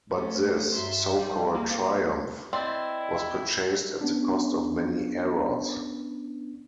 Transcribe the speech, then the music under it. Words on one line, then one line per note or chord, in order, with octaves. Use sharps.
But this so-called triumph was purchased at the cost of many errors.
A3 C#4 A4 C5
G2 F#3 E5 C6
G3
A#3
C4 E4 D5 D#5 C6
B3 C#4 D4